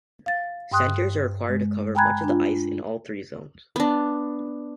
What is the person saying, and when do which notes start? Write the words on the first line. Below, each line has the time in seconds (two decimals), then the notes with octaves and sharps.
Centres are required to cover much of the ice in all three zones.
0.26 F5 A6
0.72 G2 G5 C6 D#6 F#6
1.49 G#3
1.95 G5 G#5 A#5 B5 F#6 G#6
2.24 D4 F4
3.76 B3 D4